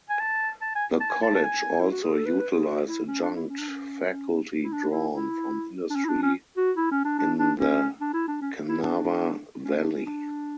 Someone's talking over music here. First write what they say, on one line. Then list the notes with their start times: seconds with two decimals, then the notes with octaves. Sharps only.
The college also utilized adjunct faculty drawn from industry in the Kanawha Valley.
0.10 G#5
0.20 A5
0.62 A5
0.75 G#5
1.00 A5
1.11 G#5
1.23 A5
1.35 A5
1.44 G#5
1.81 E4
1.92 F#4
2.03 G#4
2.15 A4
2.26 B4
2.39 B4
2.54 G#4
2.67 F#4
2.88 E4
3.08 C#4
3.22 D4
3.36 E4
3.49 C#4
3.59 D4
3.69 C#4
4.64 E4
4.72 D4
4.92 E4
5.14 E4
5.90 D4
5.96 C#4
6.05 E4
6.09 D4
6.23 C#4
6.57 F#4
6.77 E4
6.91 C#4
7.05 D4
7.19 D4
7.39 D4
7.59 C#4
8.01 D4
8.14 E4
8.28 D4
8.42 C#4
8.69 E4
8.83 D4
9.65 C#4
9.79 D4
9.93 C#4
10.06 D4